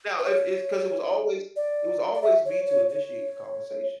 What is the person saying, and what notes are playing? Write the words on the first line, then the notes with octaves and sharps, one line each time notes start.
now if it's 'cause it was always it was always me to initiate the conversation.
B4
C#5
D5
D5
E5
C#5
C#5
C#5